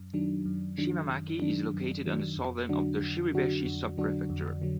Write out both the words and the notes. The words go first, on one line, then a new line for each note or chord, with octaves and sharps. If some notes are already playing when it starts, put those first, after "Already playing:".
Shimamaki is located on the southern of the Shiribeshi Subprefecture.
Already playing: F#2
D#3 F#3 D4
F#2
D#3 F#3 D4
F#2
D#3 F#3 D4
F#2
D#3 F#3 D4
F2
D3 F#3 D4 F#4
F2
D3 F#3 D4 F#4
F2
D3 F#3 D4 F#4
F2
D3 F#3